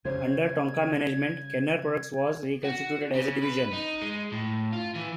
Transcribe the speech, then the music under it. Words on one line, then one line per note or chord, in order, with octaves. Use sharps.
Under Tonka management, Kenner Products was reconstituted as a division.
C#3 G3 C5 G#6
F#4
C#3
B4
D#4
G#3
A2
F4
E3